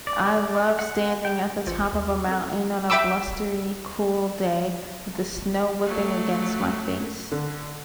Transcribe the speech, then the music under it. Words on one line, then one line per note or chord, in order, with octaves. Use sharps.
I love standing at the top of a mountain on a blustery, cool day with the snow whipping against my face.
D5
F#5
G5
A1 E3 F4 C5 E6 C#7
D#2 B5
C4 A4
E5 G5 B5 D6 E6
F#3 A3
D3